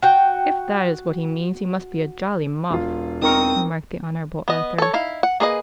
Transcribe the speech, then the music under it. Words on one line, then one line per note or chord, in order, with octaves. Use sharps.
"If that is what he means, he must be a jolly muff," remarked the Honourable Arthur.
F#4 G5
E1 F4
C4 D#4 A#4 C#6 D#6
B3 D#5
A4 C#5
D#4 E4 F5
F#5
A#3 G#4 B4 D#5